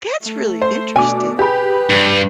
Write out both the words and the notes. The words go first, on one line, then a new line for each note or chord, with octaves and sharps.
That's really interesting.
A3
C5
B2 D4 G#5 D6
G4 G#4 B4 B5
G2